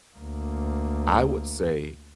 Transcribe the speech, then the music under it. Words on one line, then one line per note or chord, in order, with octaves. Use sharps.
I would say
D2 A#3